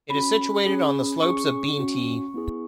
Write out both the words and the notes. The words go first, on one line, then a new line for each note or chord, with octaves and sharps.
It is situated on the slopes of Beentee.
C#4 F#4 B5
C#4 G#4
C#4 G#4 C#6
C#4 F#4
B3 E4 G#4